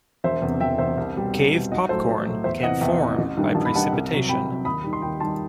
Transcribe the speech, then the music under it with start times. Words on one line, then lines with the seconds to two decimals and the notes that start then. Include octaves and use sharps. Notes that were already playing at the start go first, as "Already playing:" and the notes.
Cave popcorn can form by precipitation.
0.24 E1 C5 E5
0.42 E2 C3
0.60 E1 E5 G5
0.78 E2 C3 C5 E5
0.98 C2
1.16 B2 G3
1.34 C2
1.52 B2 G3
1.71 B1 D#5 F#5
1.89 A2 F#3 A4 C5
2.09 B1
2.26 A2 F#3
2.44 E2 C5 E5
2.63 E3 D#5 F#5
2.66 C3
2.81 E2 E5 G5
2.99 C3 E3
3.18 A1
3.37 G2 D#3 G3
3.55 A1 A5
3.65 B5
3.74 G2 D#3 G3 F#5 A5
3.93 C2
4.11 C3 F#3
4.29 C2 G5 B5
4.48 C3 F#3
4.65 D#2 B5 D#6
4.84 D#3 G3
4.93 C6
5.02 D#2 G5 B5
5.20 D#3 G3 A5 C6